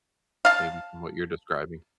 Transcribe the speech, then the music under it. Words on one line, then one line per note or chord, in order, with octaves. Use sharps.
maybe from what you're describing.
F5 A5